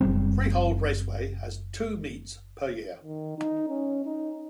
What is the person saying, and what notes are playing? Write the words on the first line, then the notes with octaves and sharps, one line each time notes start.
Freehold Raceway has two meets per year.
F#1 F#3 G3 C4
D#3
D#4
C#4
D#4